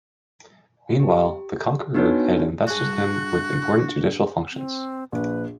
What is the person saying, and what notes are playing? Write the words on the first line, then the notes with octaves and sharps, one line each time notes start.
Meanwhile, the Conqueror had invested him with important judicial functions.
G4
B3 D4 D#4 F#4 B4 C#5
G2 F#4 G#4 F#6
C4
A#1 B4